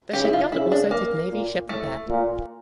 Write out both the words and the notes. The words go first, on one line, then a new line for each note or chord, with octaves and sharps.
The shipyard also did Navy ship repair.
C#3 G4
E4
F4
C#3 E4
D4
A#3
A#2
A2 A3
A#2